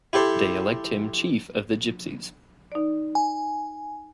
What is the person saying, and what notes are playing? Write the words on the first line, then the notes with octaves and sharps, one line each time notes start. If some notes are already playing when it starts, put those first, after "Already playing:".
They elect him chief of the Gypsies.
E4 G4 A4 C5
D#4 D5
G#5